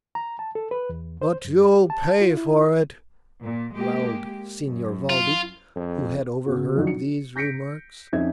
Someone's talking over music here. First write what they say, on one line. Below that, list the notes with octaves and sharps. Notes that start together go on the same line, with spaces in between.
"But you'll pay for it!" growled Signor Valdi, who had overheard these remarks.
A#5
A5
A4
B4
E2
C5
F#2
G4
A5
F4
E4
A#2
G#3 A#3 G4
F#2
F4
F2
C#3 B3 F#4
F#2 F3 D4 D#4 F#4
C#7
G6 A#6 B6 C#7 D7
F2 C#4 D#4 E5 G#6